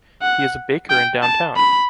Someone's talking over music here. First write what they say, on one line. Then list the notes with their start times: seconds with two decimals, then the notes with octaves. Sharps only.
He is a baker in downtown.
0.22 F#5
0.89 G5
1.22 A5
1.56 B5